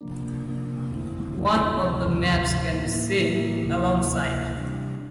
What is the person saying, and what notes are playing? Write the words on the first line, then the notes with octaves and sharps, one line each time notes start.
One of the maps can be seen alongside.
C3 F3 A#3 D4
C3 F3 A#3 D4
F2 D3 A3 C4 E4
F2 D3 A3 C4 E4
D2 C3 F3
D2 C3 F3
A2 E3 A#3 E4
A2 E3 A#3 E4
D2 C3 E3 A#3 E4
D2 C3 E3 A#3 E4
C3 G3 D4